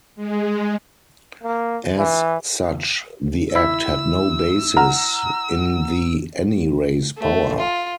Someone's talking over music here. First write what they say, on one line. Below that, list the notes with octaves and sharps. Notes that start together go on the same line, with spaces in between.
As such, the Act had no basis in the 'any race' power.
G#3
A#3
E3
E4 E5 E6
F#5 A#5 F6
A3
F4